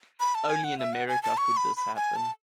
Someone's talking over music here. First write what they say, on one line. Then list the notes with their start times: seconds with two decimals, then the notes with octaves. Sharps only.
Only in America could this happen.
0.20 B5
0.35 A5
0.49 G#5
0.64 F#5
0.79 E5
0.93 F#5
1.08 G#5
1.23 A5
1.37 C#6
1.57 B5
1.77 B5
1.96 G#5
2.16 A5